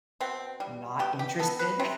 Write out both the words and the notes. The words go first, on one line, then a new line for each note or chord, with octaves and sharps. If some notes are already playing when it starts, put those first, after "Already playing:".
not interested.
B2 C4
G3
B2 G4
G4
B3 A4
B4
C3